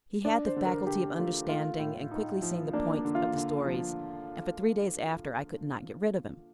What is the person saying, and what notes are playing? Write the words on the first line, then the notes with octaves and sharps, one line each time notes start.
He had the faculty of understanding and quickly seeing the point of the stories; and for three days after I could not get rid of him.
D4 D5
C5
D3
A#4
D3 G4
A3 F4
A3 F4
A2
D#4
F3
A#3 D4
D4
D3
F4
D3
F3